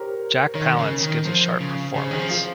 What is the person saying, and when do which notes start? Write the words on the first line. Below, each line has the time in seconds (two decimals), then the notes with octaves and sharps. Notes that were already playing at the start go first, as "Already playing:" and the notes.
Jack Palance gives a sharp performance.
Already playing: G4 A#4 C5 C#5
0.55 D#3 A#4 C#5
0.78 C#3
1.02 D#3
1.25 F3
1.60 C#3
1.95 C#3 G#4 C5
2.11 D#3 G#4 C5
2.19 F3
2.30 F4 G#4